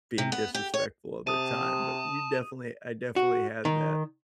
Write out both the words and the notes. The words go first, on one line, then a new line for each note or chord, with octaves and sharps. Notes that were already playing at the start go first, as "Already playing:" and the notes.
being disrespectful of their time. But we definitely I definitely had that,
C3
B3
G4
C#5
C3 A5 D#6 D#7
F#4
D#3